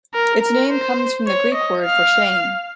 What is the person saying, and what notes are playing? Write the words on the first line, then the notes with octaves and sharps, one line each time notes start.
Its name comes from the Greek word for "shame".
A#4
A#4
C5
C#5
D#5
F5